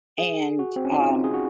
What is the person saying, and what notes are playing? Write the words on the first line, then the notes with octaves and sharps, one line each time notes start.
And, um,
G#4
F#4
C4
C#4
D#4
F4
G#4
F#4